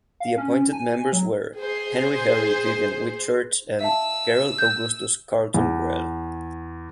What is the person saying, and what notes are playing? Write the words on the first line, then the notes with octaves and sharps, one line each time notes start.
The appointed members were Henry Harry Vivian Whitchurch and Gerald Augustus Carlton Grell.
F5
C#4
G#5
F#3
G#4 C5
E5 F5 A5 E6
G6
E2